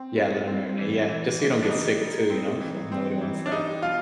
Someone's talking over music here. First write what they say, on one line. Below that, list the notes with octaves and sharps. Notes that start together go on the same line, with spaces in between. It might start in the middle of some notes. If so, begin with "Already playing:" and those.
Yeah, let it marinate yeah, just so you don't get sick too, you know? So, nobody wants that.
Already playing: C4
G3
C4
E3
E3
E3
D4
G3 D#4
G3
C4
E3
C4
E3
D4
G3 D#4
B2 F4